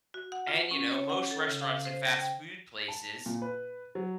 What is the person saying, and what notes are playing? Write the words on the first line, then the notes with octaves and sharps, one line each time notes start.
and, you know, most restaurants and fast food places
F#4
F#5
F4
C#4
C#5
F#5
A4
C#3
F5
C5
A#6
G5
A5
A#2
B4
F#3